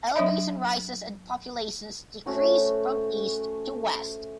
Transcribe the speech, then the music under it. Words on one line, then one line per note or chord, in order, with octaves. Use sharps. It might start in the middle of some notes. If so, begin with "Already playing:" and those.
Elevation rises and populations decrease from east to west.
F#3 D4 C#5 D#5 E5 B5
A3 C#4 F#4 C5